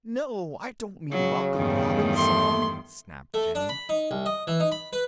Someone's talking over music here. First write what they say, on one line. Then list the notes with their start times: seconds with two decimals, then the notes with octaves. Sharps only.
"No, I don't mean Welcome Robin's song," snapped Jenny.
1.12 C#3 F#3
1.55 E2 G2 D#3
2.16 A3 C6
3.34 A3
3.55 D4
3.69 B5
3.89 D#4
4.11 C2
4.26 D#5
4.47 E3
4.60 D#4
4.72 B5
4.93 B4